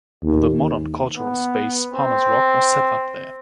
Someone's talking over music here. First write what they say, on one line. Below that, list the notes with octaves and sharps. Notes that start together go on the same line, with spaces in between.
The modern cultural space Palmer’s Rock was set up there.
D#2
B3
C4